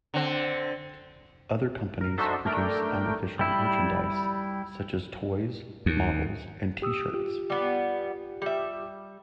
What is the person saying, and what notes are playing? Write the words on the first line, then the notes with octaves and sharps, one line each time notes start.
Other companies produce unofficial merchandise, such as toys, models and T-shirts.
D3 C4
A#4
D4 D#4 F#4 A4 C5 E5
A3 D4 A#4 G5
G3 E4
D#2
G4 D#6 E6
F4 G4
G3 B3
G3 E5